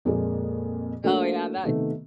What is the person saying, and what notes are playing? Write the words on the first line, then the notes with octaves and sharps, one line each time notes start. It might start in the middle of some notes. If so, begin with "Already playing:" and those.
Oh, yeah. That
F2 A#2 G#3 A#3
A3 A#3 D4 F#4
C3 D#3 A3 B3